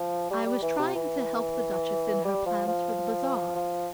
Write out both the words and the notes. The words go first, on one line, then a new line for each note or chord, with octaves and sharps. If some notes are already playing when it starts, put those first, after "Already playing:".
"I was trying to help the Duchess in her plans for the bazaar."
Already playing: F3
G3
G3
E3
C3
E3
G3
F3
F3
F3